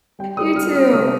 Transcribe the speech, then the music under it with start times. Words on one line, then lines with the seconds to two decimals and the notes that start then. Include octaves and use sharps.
You too.
0.19 G3 G5
0.37 G3 D#6
0.56 G3 F6
0.75 G3 F6
0.93 C3 D#6